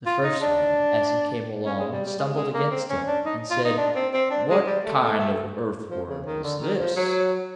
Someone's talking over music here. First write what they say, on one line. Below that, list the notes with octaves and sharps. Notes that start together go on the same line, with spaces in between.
The first one, as he came along, stumbled against him, and said: 'What kind of earthworm is this?'
F4
D#4
D4
C#4
G#3
G3
G3
G#3
G#3
A#3
C4
C#4
D4
D#4
F4
D#4
D4
C4
C4
D4
G#3
G3
A3
A3
A3
F3
C#3
D#3
D3
D#3
F3
F#3